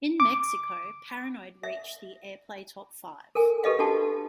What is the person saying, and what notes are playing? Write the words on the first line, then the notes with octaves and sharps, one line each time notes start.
In Mexico, "...Paranoid" reached the airplay top five.
D6
E5
A4 A#4 G#5
G4 A4 B4 D#5 F5 G5
D4 F4 F#4 A4 G5 A5